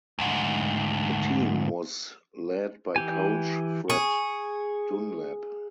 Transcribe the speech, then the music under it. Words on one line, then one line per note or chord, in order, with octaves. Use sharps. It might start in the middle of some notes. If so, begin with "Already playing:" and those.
The team was led by coach Fred Dunlap.
D2 G#2
E3 G4 G#5
G#4 C#6